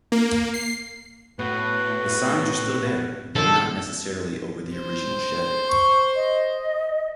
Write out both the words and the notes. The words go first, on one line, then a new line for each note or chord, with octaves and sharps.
The signs are still there, though not necessarily over the original shed.
A#3
C7
A2 B3 F#4 B4
D3 D#3 F3 A4
C5
C#6
D#5